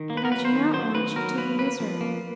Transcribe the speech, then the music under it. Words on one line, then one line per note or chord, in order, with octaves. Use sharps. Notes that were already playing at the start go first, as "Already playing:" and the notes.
And I do not want you to be miserable.
Already playing: D#3
A#3
B4
A#4
F#3 B4
C5
D#3
F#3 C5
D#3 B4
F#3 A#4
A#3 B4
A#3 B4
F3
A#3